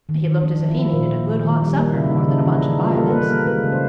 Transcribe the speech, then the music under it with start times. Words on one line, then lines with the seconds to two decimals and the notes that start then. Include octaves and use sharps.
He looked as if he needed a good hot supper more than a bunch of violets.
0.09 D#3
0.26 D#3
0.43 F3 D4
0.60 F3
0.68 E4
0.77 F3
0.93 A#2
1.10 A#2
1.28 A#2
1.44 D#3
1.62 G3
1.79 A#3
1.94 C#3 E4
2.06 D#4
2.12 C#3
2.17 D4
2.28 C#3 D#4
2.41 E4
2.45 E3 D#4
2.58 D4
2.62 E3
2.71 D#4
2.79 G3 F4
2.96 A#3 A4
3.10 A#3 B4
3.21 A#4
3.30 A#3
3.47 G#3 B4
3.64 C#3
3.72 C5